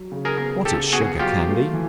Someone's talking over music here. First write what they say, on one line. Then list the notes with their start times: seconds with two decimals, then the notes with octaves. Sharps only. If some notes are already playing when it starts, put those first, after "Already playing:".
What is Sugar Candy?
Already playing: F#3
0.12 C#3
0.25 G#4 A#4
0.39 B3
0.65 C#3 G4 A4
0.92 B3 F#4 G#4
1.19 F#3 F4 G4
1.47 A3
1.73 E3